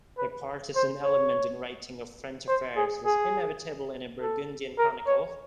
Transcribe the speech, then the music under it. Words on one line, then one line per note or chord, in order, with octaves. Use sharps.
A partisan element in writing of French affairs was inevitable in a Burgundian chronicle.
B4
C5
C#5
C5
G#4
G#4
A4
A#4
C#5